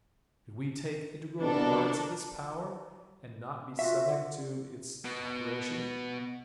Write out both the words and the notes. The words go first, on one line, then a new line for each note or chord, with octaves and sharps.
Could we take integral parts of this power, and not be subject to its operation?
G1 C2 B2 D4 A4 A#4
F4 F#4 E5
D3
B2 B3